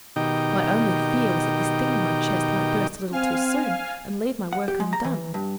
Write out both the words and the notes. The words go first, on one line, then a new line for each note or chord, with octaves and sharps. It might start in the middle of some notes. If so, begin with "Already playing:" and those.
My only fear was that this thing in my chest might burst a little too soon and leave my work undone.
B2 D#3 D#4 G4 D#5 G5
C4 F5 G#5 F6
F#5
G4
G#3
A#5
E3
G2